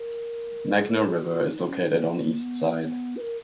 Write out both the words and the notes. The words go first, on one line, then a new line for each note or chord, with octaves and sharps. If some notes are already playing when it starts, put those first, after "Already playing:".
Meghna River is located on East side.
Already playing: A#4
G#4
A#4
G#4
F#4
F4
C#4
D#4
C#4
D#4
C#4
B3
A#3
B3
B4
A#4